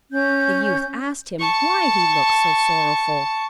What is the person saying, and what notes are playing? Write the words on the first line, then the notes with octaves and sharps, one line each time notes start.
The youth asked him why he looked so sorrowful.
C#4 G6
A5 C#6